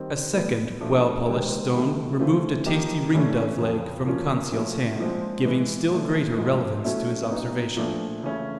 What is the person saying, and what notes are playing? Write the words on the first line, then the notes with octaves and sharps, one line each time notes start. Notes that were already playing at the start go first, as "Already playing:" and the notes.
A second well-polished stone removed a tasty ringdove leg from Conseil's hand, giving still greater relevance to his observation.
Already playing: D#3 G3 C4
A2 F#3 B3
F3 A3 D4
C3 D#3 G#3 C4
C3 D#3 F#3 A3
E3 A3 C4 F4
F3 A#3 D#4 G4
G2 E3 A3 C#4
F2 C#3 F3
F3 A#3 C#4 F4
A#2 F3 A3 C#4 F#4
A#2 F3 G#3 C4
E3 G#3 B3
A#2 F3 A3
G#2 F3 G#3
B2 F#3 A3 C#4 E4
A#2 F#3 B3 D#4 F#4
A#2 F3 A3 D4
C#3 E3 A3 C#4 E4